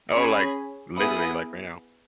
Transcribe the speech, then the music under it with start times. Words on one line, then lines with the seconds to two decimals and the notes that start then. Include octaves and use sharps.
Oh, like, literally, like, right now.
0.13 C#4 G#4 G#5 B5
0.96 B3 E4 G#4 B5 D#6